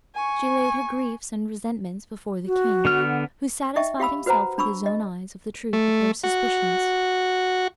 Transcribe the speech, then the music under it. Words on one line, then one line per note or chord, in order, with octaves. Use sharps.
She laid her griefs and resentment before the king, who satisfied himself with his own eyes of the truth of her suspicions.
G#5 C#6
F#4
D3 B3 F6
D#4 D#5 E5 G5 C#6
G4 F5 B5 E6
F#4 B4 C5 F#5 A#5 B5
D4 B5 C#6 E6
D#5
A3
F#4